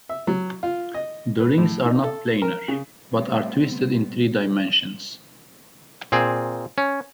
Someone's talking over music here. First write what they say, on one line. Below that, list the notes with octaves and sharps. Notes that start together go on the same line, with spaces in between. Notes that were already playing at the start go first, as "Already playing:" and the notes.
The rings are not planar, but are twisted in three dimensions.
E5
F#3
F4
D#5
B4
A2
D#4
A4
A#4
C#3
G3 A3 B3 C4
A#2 C4 G#4
C#4